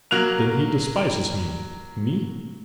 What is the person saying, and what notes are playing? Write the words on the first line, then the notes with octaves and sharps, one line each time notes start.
"Then he despises me, me?"
F#3 A#3 F#6 F7